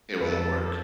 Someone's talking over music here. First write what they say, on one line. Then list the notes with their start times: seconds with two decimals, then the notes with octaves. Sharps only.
It won't work.
0.21 F2 A4 B4